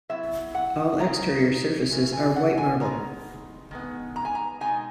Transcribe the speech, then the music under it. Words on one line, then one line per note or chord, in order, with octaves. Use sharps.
All exterior surfaces are white marble.
F#3 B3 E4 E5
F#5
C#3 E3 G#3 D#4 A#5
C#3 E3
G#5
F#5
G#5
D#3 G#3 B3 A#5
D#3 G#3 B3
A#5
G#5
A#5
B2 G#3 D#4 G#5